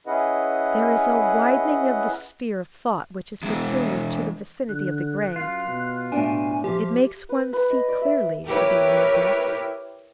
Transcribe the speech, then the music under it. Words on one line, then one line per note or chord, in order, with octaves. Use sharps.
There is a widening of the sphere of thought which is peculiar to the vicinity of the grave; it makes one see clearly to be near death.
C#4 E4 G#4 B4 D#5 F#5
E2 G#3
D3 F#6
F#2 F4
B2
A2 D4 G#5
F3 G4
B4
B4
D#5
D5
E5
E4 G4 A#4 B4 C#5